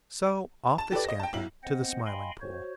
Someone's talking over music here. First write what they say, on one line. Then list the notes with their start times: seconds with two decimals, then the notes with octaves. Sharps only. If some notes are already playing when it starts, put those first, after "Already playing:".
So off they scampered to the Smiling Pool.
0.78 A5 E7
0.92 G4 A4 B4 D5
1.04 D#5 A#6
1.20 G5 A5
1.33 B1 E4 F#7
1.63 B3 C4 C5 D#5 F#5
2.06 D#5 F5 G5 G#5 B5 C6
2.41 F#4 C5 C#5